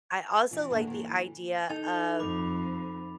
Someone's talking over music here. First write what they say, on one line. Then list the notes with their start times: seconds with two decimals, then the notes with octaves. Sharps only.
I also like the idea of,
0.51 E3 F4
0.70 G2 D3 A#3
0.87 D#3 E3
1.69 D#4 A4 A6 F7
2.19 F2 B5 D6